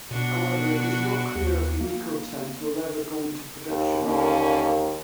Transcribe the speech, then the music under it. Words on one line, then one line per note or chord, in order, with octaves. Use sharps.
However, it is not clear if the eco-tent will ever go into production.
B2 B3 D4 F#4
D#2
A#3
D#2
D#2 D3 A#3 C#4